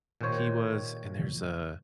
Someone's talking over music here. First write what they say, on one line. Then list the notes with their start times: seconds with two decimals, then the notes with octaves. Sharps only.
He was, and there's a
0.21 A#2 D#3 G4 C5 C#5